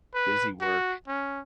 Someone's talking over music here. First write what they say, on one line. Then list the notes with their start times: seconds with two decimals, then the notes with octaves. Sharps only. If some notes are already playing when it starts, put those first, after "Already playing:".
busy work
0.14 B4
0.61 F#4
1.08 C#4